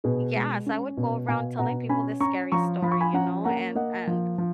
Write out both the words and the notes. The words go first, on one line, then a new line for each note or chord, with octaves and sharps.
Yes, I would go around telling people this scary story, you know? And and
B2 G#4 B4
G#3
C#4
B2
B2 F5 G#5
B2 F#5 A#5
C#4 G#5 B5
C#4 A#5 C#6
F3 A#5 C#6
F3 B5
C#6
G#5 B5
C#4 F#5 A#5
A#3 F#5 A#5
A#3 D#5 F#5
F3
F3